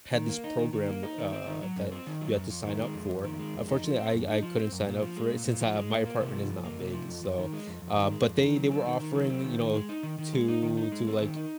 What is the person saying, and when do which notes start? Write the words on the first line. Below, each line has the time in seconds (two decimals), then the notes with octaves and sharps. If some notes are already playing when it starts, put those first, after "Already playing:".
had this program where, uh, that you had to sign up for, unfortunately, I I couldn't sign up for it since I my apartment is not big, so, uh but they they were offering, you know, to to, like,
0.14 D#3
0.29 A#3
0.44 D#4
0.59 D#3
0.73 D#3
0.88 A#3
1.03 D#4
1.18 D#3
1.33 C4
1.47 D#3
1.62 F#3
1.76 F#2
1.92 C4
2.07 D#3
2.21 F#3
2.36 F#2
2.50 F2
2.65 D#3
2.81 G#3
2.94 F2
3.09 F2
3.24 D#3
3.39 G#3
3.54 F2
3.68 D#4
3.84 F3
3.98 C4
4.13 F#2
4.28 D#4
4.43 F3
4.57 C4
4.72 F#2
4.87 A#2
5.02 F3
5.16 G#3
5.31 A#2
5.46 A#2
5.60 F3
5.75 G#3
5.90 A#2
6.05 A#3
6.20 C3
6.34 F3
6.49 F2
6.64 A#3
6.79 C3
6.93 F3
7.09 F2
7.23 F2
7.38 D#3
7.53 G#3
7.67 F2
7.82 F2
7.96 D#3
8.11 G#3
8.26 F2
8.41 D#3
8.55 F#3
8.71 C4
8.85 D#3
9.00 D#3
9.15 F#3
9.30 C4
9.45 D#3
9.59 D#3
9.74 G#3
9.89 D#4
10.03 D#3
10.18 D#3
10.33 G#3
10.48 D#4
10.63 D#3
10.77 D#4
10.92 G#3
11.07 C4
11.22 D#3
11.37 D#4